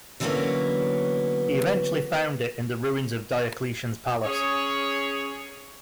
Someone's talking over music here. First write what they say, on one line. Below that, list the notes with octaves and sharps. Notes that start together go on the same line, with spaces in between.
He eventually found it in the ruins of Diocletian's Palace.
D3 E3 F#3 A#3 B3 C#4
C#4 G#4 C#5